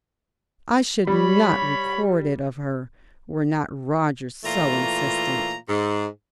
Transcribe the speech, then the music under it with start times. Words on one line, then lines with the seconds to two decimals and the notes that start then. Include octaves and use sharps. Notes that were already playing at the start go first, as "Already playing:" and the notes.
I should not record it of her were not Roger so insistent.
1.07 G3 C#5 B5
4.44 A#2 E3 A3 F4 A#5
5.68 G#2